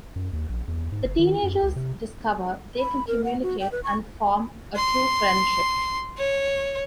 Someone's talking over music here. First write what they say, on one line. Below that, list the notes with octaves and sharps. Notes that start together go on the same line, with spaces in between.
The teenagers discover they can communicate and form a true friendship.
F#2
D#2
A#1
E2
G#2
F#1
D#3
F#2
C#2
C3
B5
A#4
F#5
F#4
G5
B4
C#6
C6
C#5